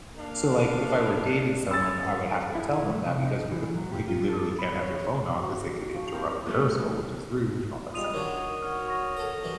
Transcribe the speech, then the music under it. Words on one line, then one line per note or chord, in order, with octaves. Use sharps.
So, like, if I were dating someone, I would have to tell them that because we like, you literally can't have your phone on 'cause they could interrupt rehearsal which is rude and all that stuff.
A#3 D4 F5
C#4 G#4 E6 A6
E4
A3
C3
D#4
E3
F#3
G4
F4
A4
B5
C#5
F#4
F3 G4 C#6
C4 A#4 C5 F5
B2 G3 A3
G3 G#3 F4 D#6 D#7 F7
D#3 D4 F#4 C#5
F#4 C#5 F6
C#6 A#6
A4 A#4
E3 G3 F#4